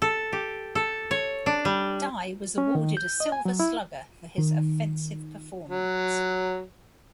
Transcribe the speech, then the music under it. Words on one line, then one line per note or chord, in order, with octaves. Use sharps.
Dye was awarded a Silver Slugger for his offensive performance.
A4
G4
A4
C#5
D4
G3
C#4
D#3
G6
D#5
G#5
F#3
E4
D#3
F#3